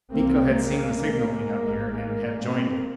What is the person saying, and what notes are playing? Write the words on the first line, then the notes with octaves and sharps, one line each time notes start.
Miko had seen the signaling up here and had joined it!
C2 C3 A#3 C4
G#3 A#3
A1 G#2
A#3 C4